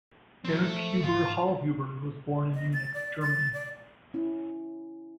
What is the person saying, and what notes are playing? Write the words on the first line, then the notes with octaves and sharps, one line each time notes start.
Erich Huber Hallhuber was born in Munich, Germany.
F3 F#3 C4
A3
G#2 F4
D#5
A6
D5
A6
D5
C#4 E4